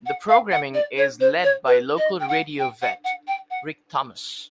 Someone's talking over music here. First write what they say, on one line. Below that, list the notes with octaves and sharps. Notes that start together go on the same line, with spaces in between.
The programming is led by local radio vet Rick Thomas.
F#5
F5
F#5
D5
C#5
C5
C#5
B4
D#5
G5
F#5
G5
F#5
F#5
G5
F#5